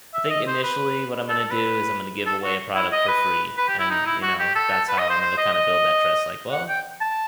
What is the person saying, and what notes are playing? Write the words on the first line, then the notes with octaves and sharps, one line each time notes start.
I think initially what I'm gonna do is I'm gonna give away a product for free and, you know, that's how I'm gonna kinda build that trust, like, "Well,
E5
D#5
C5
B4
A4
A4
B4
A4
F#4
E4
D#5
B4
B4
G4
E4
D#4
E4
F#4
G4
A4
A4
B4
D#5
C5
C5
D#5
D#5
F#5
G5
A5